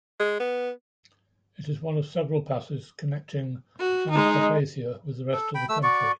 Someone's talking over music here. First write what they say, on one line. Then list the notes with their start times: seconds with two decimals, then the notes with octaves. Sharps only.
It is one of several passes connecting Transcarpathia with the rest of the country.
0.20 G#3
0.40 B3
3.79 F#4
4.11 G#3 D#4
5.33 A4
5.55 G5 B5
5.69 A3 E6
5.83 F#4 D5 C#6